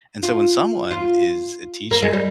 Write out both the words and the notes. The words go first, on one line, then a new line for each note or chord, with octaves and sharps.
and so, when someone is a teacher,
F4
F4
A#3
G#3
G3